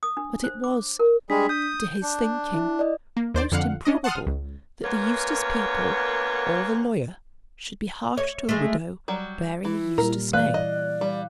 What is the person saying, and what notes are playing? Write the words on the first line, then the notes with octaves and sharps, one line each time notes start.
But it was, to his thinking, most improbable that the Eustace people or the lawyer should be harsh to a widow bearing the Eustace name.
D#6
D4
C5
D6
A#4
G3 G#3 D4 G#4 B6
D#6 G6
D4
E4
D5 D#5
A#3
D#2 C5 D5
F2 D3 F5 F#5
C#4 D4 D#5
F#5 A5 C6 D#6 F6
C#2
D2 A#3 B3 A#4 C#5
C#5
G#3 A3
F#3 G3
E3 E4
A#2 G3 A#4
E3 B4 D5 F5 F#6
D#5
G3